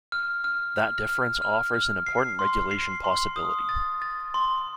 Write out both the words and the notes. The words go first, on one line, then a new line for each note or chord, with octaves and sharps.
That difference offers an important regulation possibility.
F6
F6
F6
F6
F6
F6
C7
C6
C7
C6
D#6
A6
A6
C6